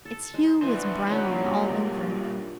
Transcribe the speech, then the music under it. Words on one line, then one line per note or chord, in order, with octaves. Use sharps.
Its hue was brown, all over.
A4
G#3 C5
E3 B3 D4 C5 G#5
F#3 C#4 C5 F#5 B5
G2 A#2